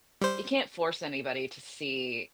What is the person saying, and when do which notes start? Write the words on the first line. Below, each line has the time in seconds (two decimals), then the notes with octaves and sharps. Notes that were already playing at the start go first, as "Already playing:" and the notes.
you can't force anybody to see
0.21 G3 C5